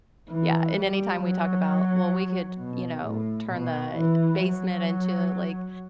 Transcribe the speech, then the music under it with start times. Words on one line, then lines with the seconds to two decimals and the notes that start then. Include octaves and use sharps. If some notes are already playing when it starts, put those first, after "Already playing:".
Yeah, and anytime we talk about, "Well, we could, you know, turn the basement into, like,
0.29 E3
0.75 G3
1.20 F#3
2.58 B2
3.03 A2
3.49 B2
3.95 E3
4.40 F#3